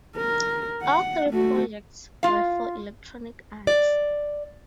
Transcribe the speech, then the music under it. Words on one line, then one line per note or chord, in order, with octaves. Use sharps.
All three projects were for Electronic Arts.
A#4
F#5
A3 F#4
F4 F5
D5